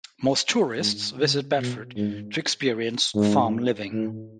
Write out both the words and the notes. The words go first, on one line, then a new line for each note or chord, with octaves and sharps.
Most tourists visit Bedford to experience farm living.
G#2
C#3
B2
G#2
G#2
A2